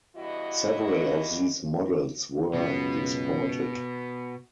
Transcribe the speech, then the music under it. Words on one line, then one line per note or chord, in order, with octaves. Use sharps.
Several of these models were exported.
E2 G2 E4 F#4 D#5
C#2 F#2 B2 B3